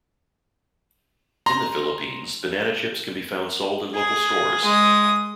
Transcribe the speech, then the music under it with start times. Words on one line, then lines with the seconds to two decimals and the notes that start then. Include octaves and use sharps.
In the Philippines, banana chips can be found sold at local stores.
1.46 A#5 C6
3.95 G#4
4.65 G#3 D#6